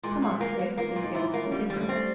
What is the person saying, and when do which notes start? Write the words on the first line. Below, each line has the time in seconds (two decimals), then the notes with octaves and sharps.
Come on, Chris, and give us the dipper.
0.03 A#2 G#3
0.22 A#2
0.41 A#3
0.53 B3
0.59 A#3
0.77 A#3 F4
0.96 A#2
1.03 D#4
1.14 A#2 E4
1.34 A#3
1.44 C#4
1.51 G3 D4
1.70 G3
1.76 A3
1.89 A3 C4